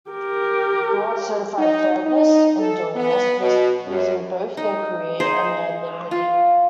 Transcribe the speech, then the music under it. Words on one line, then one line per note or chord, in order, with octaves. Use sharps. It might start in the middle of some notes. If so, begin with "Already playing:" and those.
Board-certified therapists, in doing this, risked losing both their career and their liberty.
G4 A#4
D#4
D#4
A4
B3
B2
F#2
D#4
D#4 G#4 C5
F4